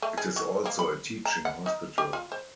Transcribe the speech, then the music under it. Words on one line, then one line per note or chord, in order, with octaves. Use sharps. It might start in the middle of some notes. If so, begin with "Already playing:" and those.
It is also a teaching hospital.
A3
G#4
F#3
A#3
B5
A#5
F#5
D#4
G4
F4
C5